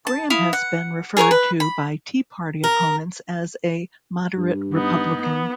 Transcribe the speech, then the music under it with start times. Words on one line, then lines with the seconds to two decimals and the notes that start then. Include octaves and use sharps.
Graham has been referred to by Tea Party opponents as a "moderate Republican".
0.07 A5
0.30 E4 F5 D#6
0.53 F#5
1.17 G#4 A#4 B4 C#5
1.31 B4
1.60 B5
2.64 A#4
4.37 G2
4.74 B3 D#4
5.22 B3